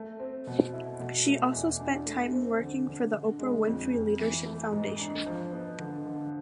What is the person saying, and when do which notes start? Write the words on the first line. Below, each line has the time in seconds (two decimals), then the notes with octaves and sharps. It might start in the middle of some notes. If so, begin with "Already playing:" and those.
She also spent time working for the Oprah Winfrey Leadership Foundation.
Already playing: A3
0.19 C4
0.47 B2
0.73 E4
1.00 B2
1.26 A3
1.53 E2
1.80 D4
2.06 A3
2.33 C4
2.60 D3
2.87 D3
3.13 D3
3.39 G#3
3.66 F2
3.93 F2
4.19 E3
4.46 A3
4.72 G#2
4.99 D4
5.26 F3
5.52 B3
5.79 D3
6.06 D3